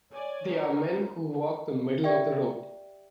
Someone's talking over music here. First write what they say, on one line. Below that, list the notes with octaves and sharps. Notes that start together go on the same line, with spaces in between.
They are men who walk the middle of the road.
C#5 D5 G#5
C#4 D#4 A#4
G4 D5 E5 G5